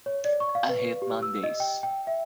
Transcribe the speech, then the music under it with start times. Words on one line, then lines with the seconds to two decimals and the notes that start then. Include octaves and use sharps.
I hate Mondays!
0.06 C#5
0.25 D5
0.40 C#6
0.55 F5
0.69 B4
1.02 G4
1.23 E6
1.43 D#5
1.60 G5
1.83 G5
2.07 E5